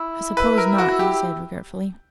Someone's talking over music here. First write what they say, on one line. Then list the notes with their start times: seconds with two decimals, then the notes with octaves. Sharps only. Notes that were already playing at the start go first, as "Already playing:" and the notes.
"I suppose not," he said regretfully.
Already playing: E4
0.37 B4
0.58 A#4
0.78 F#4
0.99 G4